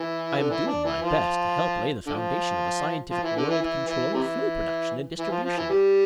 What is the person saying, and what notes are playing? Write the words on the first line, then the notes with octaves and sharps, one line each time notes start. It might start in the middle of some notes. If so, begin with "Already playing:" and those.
I am doing my best to help lay the foundation of a scientific world control of fuel production and distribution.
Already playing: E3
D3
E3
D4
E3
F3
D3 F3
F3
E3
D3
E3
E3
E3
C3 E3
E3
F3
F3
E3
G3